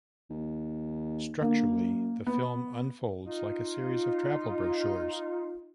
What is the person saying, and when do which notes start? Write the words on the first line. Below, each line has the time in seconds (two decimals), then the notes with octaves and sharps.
Structurally, the film unfolds like a series of travel brochures.
0.30 D#2
1.41 D3 A#3
1.71 F#2
2.27 B3
3.26 D#4 F4